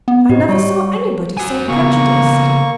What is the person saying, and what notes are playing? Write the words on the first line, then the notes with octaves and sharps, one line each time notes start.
I never saw anybody so prejudiced.'
B3
A2 F#4 G4 D#5
G3 C#5 C#6
F#4 G#5
C#3 A#3 B3 C#6